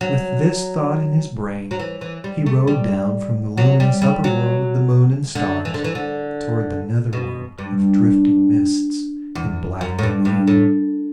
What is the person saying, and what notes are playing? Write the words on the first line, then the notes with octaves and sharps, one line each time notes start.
With this thought in his brain, he rode down from the luminous upper world of the moon and stars toward the nether world of drifting mists and black ravines.
F#3
F#3
E3
E3
G3
A3
G3
F#3
G3
G3
F#3
D3
E3
D3
E3
D3
B2
G2
E2
F#2
A2
G2
G2
A2